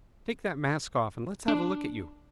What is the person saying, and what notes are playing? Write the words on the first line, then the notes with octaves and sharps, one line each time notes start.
"Take that mask off and let's have a look at you."
D4